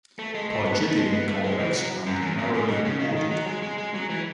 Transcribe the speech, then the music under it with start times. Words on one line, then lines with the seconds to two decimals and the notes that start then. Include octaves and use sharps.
Pygidium convex and narrowly bordered.
0.19 A3
0.35 G#3
0.50 A3
0.66 B3
0.81 A3
0.97 G#3
1.13 B3
1.28 A3
1.44 G#3
1.60 E3
1.76 F#3
2.07 F#2
2.22 E2
2.38 F#2
2.54 G#2
2.69 B2
2.85 C#3
3.00 D#3
3.16 D#3
3.31 F#3
3.47 G#3
3.63 G#3
3.78 G#3
3.95 F#3
4.10 E3